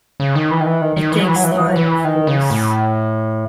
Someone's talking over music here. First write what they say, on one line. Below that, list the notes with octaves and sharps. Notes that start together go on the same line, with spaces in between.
It takes time of course.
C#3
D#3
E3
D#3
E3
D#3
D#3
E3
F#3
E3
F#3
E3
F#3
E3
F#3
E3
D#3
C#3
A2